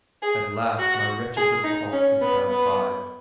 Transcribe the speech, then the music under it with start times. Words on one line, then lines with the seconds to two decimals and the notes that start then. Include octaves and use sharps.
At last my wretched little clock hissed out five.
0.22 G#4
0.79 F#4
1.36 G#4
1.64 D#4
1.92 C#4
2.21 B3
2.49 B3